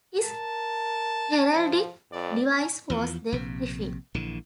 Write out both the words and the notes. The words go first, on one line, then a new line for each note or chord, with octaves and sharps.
His heraldic device was the griffin.
A#4 A5
F3
F2 D5
E2 F3
A#1 C3
A#1 D3 E3